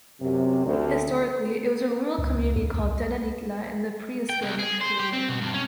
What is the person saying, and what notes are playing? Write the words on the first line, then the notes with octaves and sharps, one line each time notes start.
Historically, it was a rural community, called Tenanitla in the pre-Hispanic period.
F#2 C3
D2
C#2
D#2
C2
G5
C2
G#4
C5
G4
C4
B2
G2
C#4